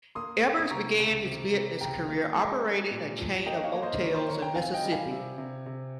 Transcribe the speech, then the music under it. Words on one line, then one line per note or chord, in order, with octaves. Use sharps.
Ebbers began his business career operating a chain of motels in Mississippi.
A#3 C6 D#6
A#3
D#6
C3 A#5 C#6
C#2
C3
C3
C#2 G5 A#5
A#3
G#3
G#3
A#2
F3
A#3 D#5 G5
C#5 F5
A#3
C5 D#5
D#3 A#4 C#5
C5
D#3 A#4 C#5
G5 A#5
C4 F5 G#5
D#5 G5
G3
F5 G#5
C3
C3
C3